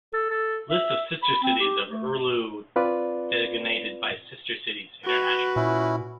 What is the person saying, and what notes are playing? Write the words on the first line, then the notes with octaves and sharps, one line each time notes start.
List of sister cities of Orlu, designated by Sister Cities International.
A4
A4
E5
B5
C4
G4
A3
C4 F4 B4 D5
F#4 B4
A#2 C#4 E4